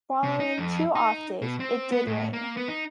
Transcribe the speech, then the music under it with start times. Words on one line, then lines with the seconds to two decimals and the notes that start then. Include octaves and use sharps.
Following two off days, it did rain.
0.23 C3
0.40 D#4
0.58 F2
0.95 D#4
1.42 B2
1.60 C4
1.92 B3
2.07 A2
2.33 A#3
2.57 B3
2.68 D#4